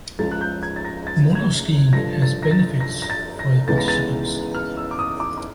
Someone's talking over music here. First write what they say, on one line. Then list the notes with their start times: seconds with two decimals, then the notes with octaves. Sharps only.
Monoskiing has benefits for participants.
0.19 C#2 C#3 F3 A6
0.31 F#6
0.41 G6
0.63 G#6
0.76 A6
0.85 A#6
1.07 A6
1.35 G#6
1.93 G2 D3 F3 A#6
2.22 A6
2.43 A#6
2.51 A6
2.80 A#6
3.02 A#6
3.10 A6
3.39 A#6
3.68 C#2 C#3 E3 G#3 B3 A6
3.78 A#6
3.88 A6
4.55 F6
4.77 E6
4.91 D6
4.99 D#6
5.20 D6
5.38 D6